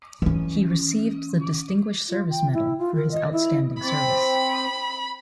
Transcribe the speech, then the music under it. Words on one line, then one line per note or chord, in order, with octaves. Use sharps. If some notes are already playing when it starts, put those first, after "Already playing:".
He received the Distinguished Service Medal for his outstanding service.
E3 C#4
F4
G5
E4
F4
A#4
D#5
E4
C4 B5